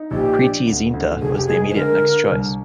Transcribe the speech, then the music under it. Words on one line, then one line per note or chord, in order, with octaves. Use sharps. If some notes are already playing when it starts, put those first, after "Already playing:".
Preity Zinta was the immediate next choice.
Already playing: D#4
A#1 G4
D4
D2
D2
F1 G#4
G4
G#3 G#4
C5
D3 A#4
D3
C2